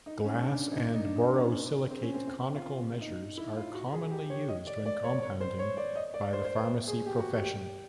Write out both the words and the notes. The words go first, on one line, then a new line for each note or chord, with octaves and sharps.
Glass and borosilicate conical measures are commonly used when compounding by the pharmacy profession.
D#4
C#4
D4
D4
D#4
D4
D#4
D4
D#4
C#4
C4
C#4
C4
C4
F4
D#4
E4
F4
F#4
G#4
G4
C#5
D#5
D5
D5
C#5
C#5
C5
C#5
D5
D#5
D5
C5
C5
B4
G#4
G4
F#4
G4
G4